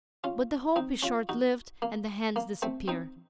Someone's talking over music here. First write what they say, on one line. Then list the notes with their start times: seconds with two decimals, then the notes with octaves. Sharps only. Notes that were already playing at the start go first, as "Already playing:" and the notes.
But the hope is short-lived, and the hands disappear.
0.24 C#4 F4
0.76 C4 D#4
1.03 C#4 F4
1.29 D#4 F#4
1.82 A#3
2.36 A#3
2.62 A3 C4
2.88 C4 D#4